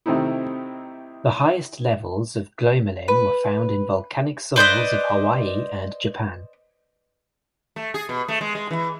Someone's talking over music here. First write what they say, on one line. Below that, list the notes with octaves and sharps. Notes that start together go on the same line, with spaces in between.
The highest levels of glomalin were found in volcanic soils of Hawaii and Japan.
C3 D#3 A3 C4 D#4 E4
B4
B4 C5 D5 D#5
A3
G#4
B2
A3
G#3
G#3
E3